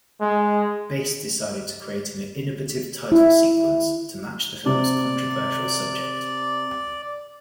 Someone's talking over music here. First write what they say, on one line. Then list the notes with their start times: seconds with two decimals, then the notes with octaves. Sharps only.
Bass decided to create an innovative title sequence to match the film's controversial subject.
0.21 G#3
3.12 E4
4.66 C3 D5